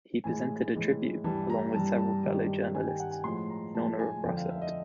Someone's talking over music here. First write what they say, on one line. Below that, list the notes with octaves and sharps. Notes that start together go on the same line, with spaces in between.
He presented a tribute, along with several fellow journalists, in honor of Russert.
A2 E3 G#3 G#5
A2 E3 G#3
G2 E3 G3 A5
A#5
G2 E3 G3 A5
A5
G2 D#3 G3
G2 D#3 G3 G#5
G5
F#5
G#5
A2 F3 G#3 C6
A#5
A2 F3 G#3 A5
G#5
F2 D3 F3 G5
F5
E5
D#5